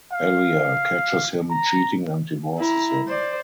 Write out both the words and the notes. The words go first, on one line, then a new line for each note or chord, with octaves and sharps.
Alia catches him cheating and divorces him.
F5
A#5
E4 A#5
C5 D5